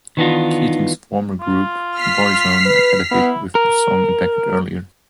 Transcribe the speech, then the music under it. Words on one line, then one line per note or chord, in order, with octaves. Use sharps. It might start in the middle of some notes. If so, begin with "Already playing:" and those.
Keating's former group, Boyzone, had a hit with the song a decade earlier.
D#3 E3 B3 D4 D#4 F4
F4
F6 B6 C7
B4
B3 E4
A#4